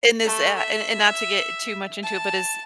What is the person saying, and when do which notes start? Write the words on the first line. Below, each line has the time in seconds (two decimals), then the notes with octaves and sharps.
in this a and and not to get too much into it, but is
0.24 A3
0.58 E5
2.03 A5